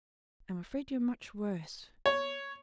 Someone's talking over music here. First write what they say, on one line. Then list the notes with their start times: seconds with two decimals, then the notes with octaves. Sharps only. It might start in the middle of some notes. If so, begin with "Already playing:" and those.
'I'm afraid you're much worse.
2.06 C#5